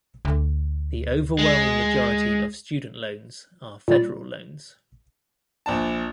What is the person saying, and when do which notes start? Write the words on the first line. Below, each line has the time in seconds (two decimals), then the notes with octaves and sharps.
The overwhelming majority of student loans are federal loans.
0.25 D2
1.39 G#3
3.88 A#2 G3 D5
5.66 A#1 D4 A5